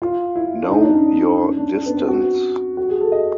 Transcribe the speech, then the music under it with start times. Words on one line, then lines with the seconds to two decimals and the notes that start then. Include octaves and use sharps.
Know your distance.
0.02 F4
0.36 E4
0.63 D4
0.70 D#4
0.82 D4
0.93 C#4
1.05 D4
1.39 C#4
1.57 D4
1.74 D4
1.86 B3
1.97 C4
2.08 F#4
2.77 F#4
2.89 G#4
3.01 A4
3.12 D#5